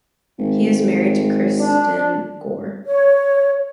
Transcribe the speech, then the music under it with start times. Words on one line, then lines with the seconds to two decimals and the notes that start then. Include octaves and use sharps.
He is married to Kristin Gore.
0.39 G#1
1.59 D4
2.86 C#5